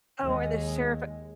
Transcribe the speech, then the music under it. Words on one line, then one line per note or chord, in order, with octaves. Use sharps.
Oh, and the Sheriff
D#2 G#3